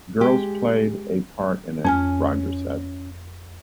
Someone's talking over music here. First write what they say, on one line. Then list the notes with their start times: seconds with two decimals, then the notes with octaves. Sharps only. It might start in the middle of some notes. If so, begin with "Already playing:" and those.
The girls played a part in it, Rogers said.
0.21 G#3 G4
1.85 F2 C#4 G#5 F6